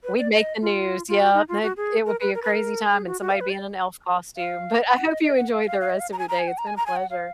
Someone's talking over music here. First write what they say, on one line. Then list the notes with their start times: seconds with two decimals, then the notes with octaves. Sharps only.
We'd make the news, yep, it it would be a crazy time and somebody would be in an elf costume, but I hope you enjoy the rest of your day, it's been a pleasure.
0.04 B4
0.18 D5
0.33 D#5
0.62 F4
1.08 F4
1.19 F#4
1.34 D#4
1.48 F4
1.63 F#4
1.77 G#4
2.06 A#4
2.20 B4
2.35 A#4
2.43 B4
2.50 A#4
2.92 G#4
3.07 F#4
3.21 F#4
3.31 F5
3.40 B4
3.50 D5
4.37 F5
4.95 F#5
5.09 D#5
5.23 D#5
5.37 F#5
5.52 F5
5.67 F5
5.81 F5
5.90 D#5
6.00 F5
6.12 A#5
6.19 G#5
6.29 A#5
6.39 G#5
6.48 F#5
6.58 A#5
6.67 G#5
6.77 A#5
6.86 G#5
6.96 F#5
7.10 F5